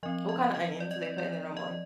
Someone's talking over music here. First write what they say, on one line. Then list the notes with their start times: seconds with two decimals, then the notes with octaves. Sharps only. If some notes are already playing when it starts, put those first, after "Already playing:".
What kinda onions do they put in there normally?
0.03 F3 C4 D#5
0.29 D#5
0.54 D#5
0.80 D5
0.91 D#5
1.02 D5
1.18 D5
1.57 D#5